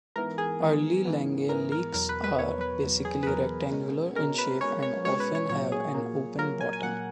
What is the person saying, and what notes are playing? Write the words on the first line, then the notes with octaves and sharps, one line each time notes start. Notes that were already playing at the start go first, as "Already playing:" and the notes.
Early langeleiks are basically rectangular in shape, and often have an open bottom.
G#2 E3 B3 A#4
G#4
G#2 E3 B3
G#2 E3 B3
G#2 E3 B3 A#4
A#4
E2 B2 F#3 A#4
B4
B4
E2 B2 F#3 C#5
B4
E2 B2 F#3
G#4
B4
E2 B2 F#3 A#4
B2 G#3 C#4
B2 G#3 C#4 A#4
B4
B2 G#3 C#4 C#5
C#5
B2 G#3 C#4 C#5
B4
C#5
A#2 F#3 A#3 C#5
G#4
A#2 F#3 A#3
A#2 F#3 A#3 A#4
G#5
G#5
A#2 F#3 A#3 F#5